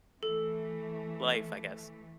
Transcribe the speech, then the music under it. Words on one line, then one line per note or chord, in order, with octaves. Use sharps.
life, I guess
E3 A3 A4